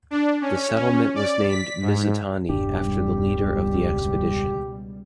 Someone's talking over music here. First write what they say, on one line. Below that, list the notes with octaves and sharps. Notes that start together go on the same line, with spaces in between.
The settlement was named "Mizutani" after the leader of the expedition.
D4
C#4
C#4
D5
B6
G#2
E1 C#2 G2 B2 G3 D4 G4